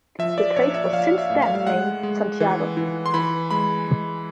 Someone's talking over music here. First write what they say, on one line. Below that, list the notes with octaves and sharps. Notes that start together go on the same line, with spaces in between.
The place was since then named Santiago.
F3 E5
D5
A#1 C#5
E5
F3 F5
E5
A2
F5
F5
G#3 F#5
G#3
E3
E3
C6
E3 B5
G#3 B5
G#3